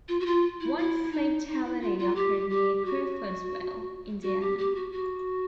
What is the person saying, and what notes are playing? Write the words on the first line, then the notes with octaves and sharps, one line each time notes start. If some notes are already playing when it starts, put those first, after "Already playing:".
One fatality occurred near Crawfordsville, Indiana.
F4
F#4
F4
E4
E4
D#4
D#4
E4
F4
F4
G4
G4
F#4
F#4
G4
G4
F#4
F#4